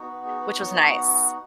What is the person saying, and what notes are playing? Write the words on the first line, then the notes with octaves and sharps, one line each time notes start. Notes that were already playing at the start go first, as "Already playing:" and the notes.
which was nice.
Already playing: B3 D#4 F#4
B4
G#4
B4
C#5
D#5
F#5
F#5